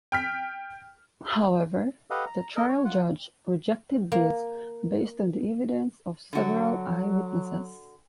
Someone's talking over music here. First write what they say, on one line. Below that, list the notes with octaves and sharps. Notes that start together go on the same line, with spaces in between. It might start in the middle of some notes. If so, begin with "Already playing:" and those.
However the trial judge rejected this based on the evidence of several eyewitnesses.
G5 F6 B6
G4 A4 B4 D#5 F5 F#5
A#5
A4 A#4 D#5
C#5
F4 F#5
A#3
D3 F#3 F#4